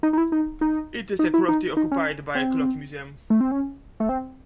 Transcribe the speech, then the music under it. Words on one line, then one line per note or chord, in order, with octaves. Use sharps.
It is currently occupied by a Clock Museum.
D#4
D#4
E4
D#4
D#4
D#4
E4
D#4
D#4
C#4
C4
A3
C4
C#4
A3
C4